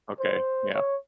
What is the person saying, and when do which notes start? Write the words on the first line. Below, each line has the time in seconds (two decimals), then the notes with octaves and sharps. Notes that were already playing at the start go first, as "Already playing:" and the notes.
Okay, yeah.
0.19 C5
0.74 C#5